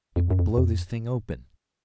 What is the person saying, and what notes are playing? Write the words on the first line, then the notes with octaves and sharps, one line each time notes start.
"It would blow this thing open."
F2
F#2
F2
F2